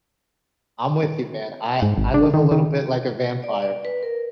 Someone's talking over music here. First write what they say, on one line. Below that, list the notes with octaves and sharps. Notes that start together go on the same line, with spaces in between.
I'm with you, man, I I live a little bit like a vampire.
G#2
G#1
D4
D#3
D#3
D5
D5
B4
A#4